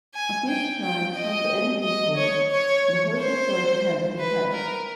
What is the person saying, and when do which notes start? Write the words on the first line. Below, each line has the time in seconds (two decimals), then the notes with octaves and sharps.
A few strides from the ending post, the horses were head to head.
0.14 G#5
0.48 G5
0.82 G5
1.15 D#5
1.83 D#5
2.17 C#5
2.51 C#5
3.18 C5
4.19 B4
4.53 A#4